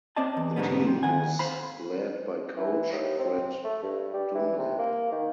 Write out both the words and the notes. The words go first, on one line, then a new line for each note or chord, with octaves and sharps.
The team was led by coach Fred Dunlap.
C4 C#4 C5 D5 D#5 A5
E2
G#2 B2 D3 G3 B3
C4
D#3 F#5 G#5
C5 F5 B5
E3
D#2
C4
A3
G2
G3
E3
C3
A#3
D#3